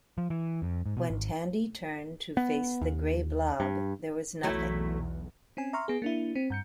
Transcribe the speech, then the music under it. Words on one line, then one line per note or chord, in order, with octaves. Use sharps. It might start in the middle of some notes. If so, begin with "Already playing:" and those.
When Tandy turned to face the grey blob, there was nothing.
F3
E3
F2
G#2
B2
G#1
B3
D#2
G2
B1 E2 F#3 A3 E4
C4 C#4 G#5
E5 A#5 C6 C#6 F6
B3 G#4
A#3 D4 E4
C4
G2 G6 C#7